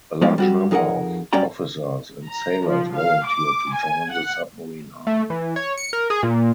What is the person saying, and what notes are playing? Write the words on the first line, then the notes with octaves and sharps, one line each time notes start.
A large number of officers and sailors volunteered to join the submarine arm.
F3 G3 G#3 B3 D#4 G4
G3 F#4 G4
F2 D#4 G#4 A#4 F#5
F#2 G3 C#4 D5 G5 A#5
A#5
F3
F5
D6
G#5
F#5
A3
E3
C#5
C#7
A#4
G#4
A#2